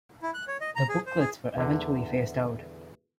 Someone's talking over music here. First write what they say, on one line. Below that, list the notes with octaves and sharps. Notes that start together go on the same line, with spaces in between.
The booklets were eventually phased out.
E4
F#6
C#5
D#5
A#5
G#4
C5
G#4
E2 D3